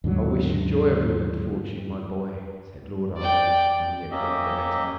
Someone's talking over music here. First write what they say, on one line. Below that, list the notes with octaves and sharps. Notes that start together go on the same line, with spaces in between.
"I wish you joy of your good fortune, my boy," said Lord Arden when he had read the letter.
D#2 G#2 D3 F#3
D5 G5
A#3 C#4 G4 D#5 E5